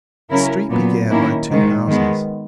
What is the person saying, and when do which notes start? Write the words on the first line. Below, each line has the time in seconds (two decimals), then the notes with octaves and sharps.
The street began by two houses.
0.31 C#3 F#3 C#4 E4 A#4
0.70 A#2 F#3 B3
1.10 D#3 A#3 C#4 E4 A#4
1.50 G#2 D#3 G#3
1.88 D#3 G#3 B3